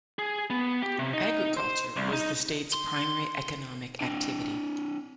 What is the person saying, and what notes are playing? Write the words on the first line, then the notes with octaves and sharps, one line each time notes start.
Agriculture was the state's primary economic activity.
G#4
B3
G4
C3
D#4
C5
C2
D#4
C6
C4 D4